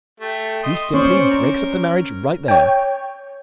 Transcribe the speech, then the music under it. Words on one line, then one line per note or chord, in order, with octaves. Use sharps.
He simply breaks up the marriage right there.
A3 G4
D#5 C6
C#4 C5 D5 C#6
A#4
C#5 G5